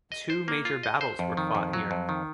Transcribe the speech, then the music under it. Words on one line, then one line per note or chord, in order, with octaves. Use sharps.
Two major battles were fought here.
D#5
C5
A#3
F4
D#5
C5
F2
D#3
F2
F#3
F2
D#3